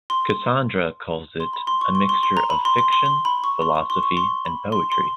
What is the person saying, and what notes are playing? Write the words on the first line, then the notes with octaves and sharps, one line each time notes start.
Cassandra calls it "a mixture of fiction, philosophy and poetry".
C6
C6
B5
C6
C#6
C6
C6
C6
A#5
B5
C6
C6
C6
C6
B5
C#6
C6
C#6
C6
C#6
C6
B5
C6
C6